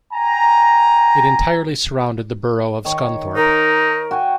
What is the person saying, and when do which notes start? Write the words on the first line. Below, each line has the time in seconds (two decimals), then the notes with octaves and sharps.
It entirely surrounded the Borough of Scunthorpe.
0.13 G5 G#5 A#5
2.85 D#3 C#5
3.36 D#4 A#4
4.11 F#4 G5 G#5